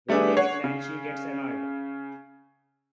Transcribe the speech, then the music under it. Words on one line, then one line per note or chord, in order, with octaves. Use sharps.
When they decline, she gets annoyed.
G3 A3 B3 D4 G#4
C#5 F#5 C7
C#3